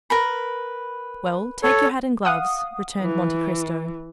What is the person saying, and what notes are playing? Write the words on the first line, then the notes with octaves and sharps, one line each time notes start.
"Well, take your hat and gloves," returned Monte Cristo.
A#4 B4 B5
A4 C#5
F5 F#5 D#6
E3